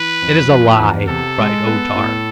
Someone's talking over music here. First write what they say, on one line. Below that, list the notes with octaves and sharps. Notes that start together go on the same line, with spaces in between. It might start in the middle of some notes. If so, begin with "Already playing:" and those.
"It is a lie!" cried O-Tar.
Already playing: E3 B4
F2
F3
E2
C3 A4
G#3
B3
A2